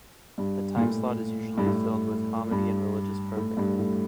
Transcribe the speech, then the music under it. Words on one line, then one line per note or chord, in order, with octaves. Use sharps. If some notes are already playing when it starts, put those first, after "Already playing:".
The time slot is usually filled with comedy and religious programming.
G2
A#2
A2
G2
A2
G2
A2
G2
A2